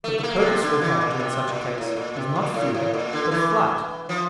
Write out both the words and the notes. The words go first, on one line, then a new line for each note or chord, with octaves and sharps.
But the purposeful factor in such a case is not fear but flight.
A3
A3
A#3
A#2
C3
D3
E3
A#2
C3
A#2
A2
A#2
C3
A#2
A2
A2
A#2
D3
E3
F3